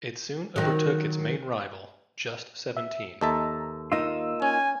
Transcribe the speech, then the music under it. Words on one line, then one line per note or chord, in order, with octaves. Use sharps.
It soon overtook its main rival, Just Seventeen.
D#3 F#3
E5
D#2 A4 D#5 E5 A5 A#5
A#3 D#4 F4 E6
C#4 G#5